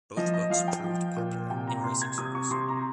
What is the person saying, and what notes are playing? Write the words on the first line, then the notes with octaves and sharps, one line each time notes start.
Both books proved popular in racing circles.
F3 D#5
D#5
F3 F5
G5
F3
A#2
C3 G5
A#5
C3 C6
G#6
C3 D#6
C#6
C3 C6
A#5